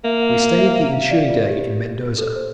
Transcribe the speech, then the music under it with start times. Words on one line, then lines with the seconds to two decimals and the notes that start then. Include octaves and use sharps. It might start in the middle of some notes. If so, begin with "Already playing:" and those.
We stayed the ensuing day in Mendoza.
0.04 A#3 E5
0.22 F5
0.41 F5
0.58 E5
0.75 E5
0.93 F5
1.11 D5
1.30 F4
1.46 G4
2.18 A4
2.36 C5